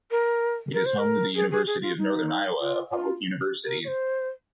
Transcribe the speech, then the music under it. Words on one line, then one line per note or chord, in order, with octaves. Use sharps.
It is home to the University of Northern Iowa, a public university.
A#4
A#4
C5
A#4
G#4
G#4
G#4
F4
D#4
F4
F4
A#4
C#5
C5